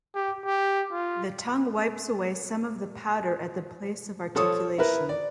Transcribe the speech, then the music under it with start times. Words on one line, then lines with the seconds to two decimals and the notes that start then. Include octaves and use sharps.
The tongue wipes away some of the powder at the place of articulation.
0.15 G4
0.45 G4
0.92 F4
4.35 F3 A4 C#5 D#6
4.78 E4 A#4 B4
5.09 D5